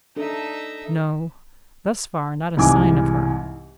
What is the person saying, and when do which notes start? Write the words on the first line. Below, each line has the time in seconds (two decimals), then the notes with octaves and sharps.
No; thus far, not a sign of her.
0.16 D4 D#4 A4 E5
2.57 C2 G#2 E3 G#5 D6